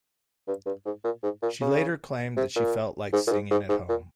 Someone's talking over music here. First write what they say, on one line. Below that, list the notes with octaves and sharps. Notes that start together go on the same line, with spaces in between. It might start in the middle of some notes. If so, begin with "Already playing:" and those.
She later claimed that she felt like singing at home.
G2
G2
G#2
A#2
G#2
A#2
C#3
C3
A#2
G#2
A#2
G#2
G#2
G#2
A#2